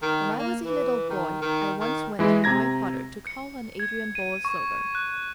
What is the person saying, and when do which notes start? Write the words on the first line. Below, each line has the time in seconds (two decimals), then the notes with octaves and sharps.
When I was a little boy I once went with my father to call on Adrian Borlsover.
0.02 D#3
0.39 A#3
0.64 E3
1.10 D#3
1.42 D#3
1.80 D#3
2.19 E3 G#3 E4
2.44 C3 A#5 G#6 A#6
3.27 C#7
3.80 G#6
4.15 D#7
4.45 C#6
4.95 F#6